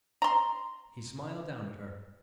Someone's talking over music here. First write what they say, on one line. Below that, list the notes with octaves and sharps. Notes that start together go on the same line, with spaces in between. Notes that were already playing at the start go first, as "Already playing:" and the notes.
He smiled down at her.
A#5 C6